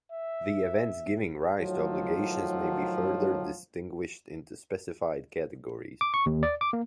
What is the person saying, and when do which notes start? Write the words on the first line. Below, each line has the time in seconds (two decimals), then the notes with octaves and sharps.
The events giving rise to obligations may be further distinguished into specified categories.
0.11 E5
1.58 A2 D#3 F3 F#3
6.01 D6
6.14 C#6
6.26 D#2
6.43 D5
6.61 D6
6.73 A#3